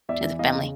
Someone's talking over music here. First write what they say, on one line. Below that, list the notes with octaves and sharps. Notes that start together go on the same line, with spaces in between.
to the family.
E2 D5 E5
E3
E2 D#5 F5
C#3